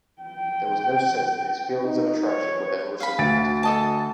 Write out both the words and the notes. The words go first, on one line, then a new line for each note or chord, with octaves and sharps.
There was no sense that his feelings of attraction were ever reciprocated.
G5
D#4
C#5
F5 B5
D2 A6 D7
A4 D#5 A5